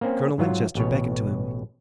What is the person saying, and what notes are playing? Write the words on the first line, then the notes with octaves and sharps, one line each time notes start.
Colonel Winchester beckoned to him.
A#3 C4 C#4
G#2 F#3 F4
A1 B2 C#5